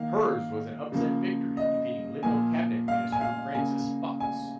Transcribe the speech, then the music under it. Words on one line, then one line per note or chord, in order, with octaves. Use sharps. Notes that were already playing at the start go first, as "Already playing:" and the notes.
Hers was an upset victory, defeating Liberal Cabinet minister Francis Fox.
Already playing: D#3 A#3 F5
C#3 F3 A#3
D#5
A#2 F3 A#3 G#5
F5
G#5
F5
C#3 A#3 G#5
G#5